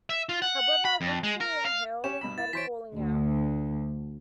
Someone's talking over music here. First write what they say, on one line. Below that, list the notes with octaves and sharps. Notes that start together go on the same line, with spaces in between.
However, Ritchey and Hale had a falling out.
E5
F4
F#5
B5
F2
G#3
A#4
F5
C#4 G4 C#5 E7
G2 B2 B5
E4 A6
E3 C5 C#5 B6 D7
D2